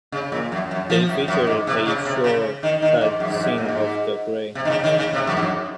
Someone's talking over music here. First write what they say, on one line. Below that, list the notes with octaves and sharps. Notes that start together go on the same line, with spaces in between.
They featured a short cut scene of the grave.
C#3
A#2
F#2
F#2
F3
F#2
F#2
G#2
C3
C#3
C3
C#3
D#3
D#3
G#2
F#2
G#2
F#2
A#2
G#2
C3
D#3
C#3
D#3
C#3
C3
F#2
G#2
F#2